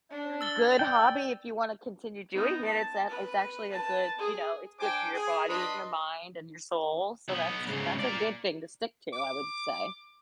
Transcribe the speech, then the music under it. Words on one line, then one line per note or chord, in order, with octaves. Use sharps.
That's a very good hobby if you wanna continue doing it. It's a it's actually a good, you know, it's good for your body and your mind and your soul. So that's that's a good thing to stick to, I would say.
D4
E6 A6 G7
D5 G5
B3 D#4
A5
B4
B4 A5
G#4
D4 C5 G5 G#5 D6
G#4
D4 B4 D#5 B5 C6
B1 B3
G#2 C#3
A#3 D5
D6